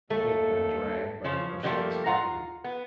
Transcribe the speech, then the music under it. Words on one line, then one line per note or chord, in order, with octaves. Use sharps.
He had been dragged by the merciless government.
D#2 A3 A4
C#3 F3 C#4
B2 D3 F3 G3 A3 A#3
F4 F5 F#5 A#5
B3